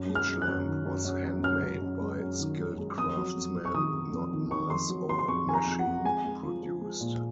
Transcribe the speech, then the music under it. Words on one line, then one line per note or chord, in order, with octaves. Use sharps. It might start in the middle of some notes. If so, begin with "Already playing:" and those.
Each lamp was handmade by skilled craftsmen, not mass- or machine-produced.
Already playing: F#2
G#3
F6
F#2
F#6
F#2
D#3
F#2
F#2
F#2
F#2 F6
F#2
F#2
G#3
F#2
D#3
G#3
G#3
F2 D#6
F#3
F2
F2
C#6
D#3 D#6
F2
F2
D#3
D#3 C#6
F2 C6
F#3
F#3 C6
C6
F2 C#6
F2 G#5
A#5
F2
F#5
F2
G#3 G#5
G#3
F3
F3
G#3
A#2